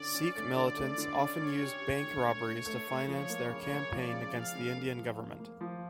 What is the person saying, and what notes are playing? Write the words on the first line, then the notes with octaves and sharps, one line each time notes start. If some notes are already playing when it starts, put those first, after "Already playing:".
Sikh militants often used bank robberies to finance their campaign against the Indian government.
Already playing: D3 C#4 D5
C#4
A3
D3
A3
D3
C#4
C#4 C#5
G4
G4
D3
A3
A3
A3
A3
F3 C#5
A#3
C#3 C#5
A#3
F3 D5
C#3
F3 F5
C#3
A#3
F3
A#3
A#3
F3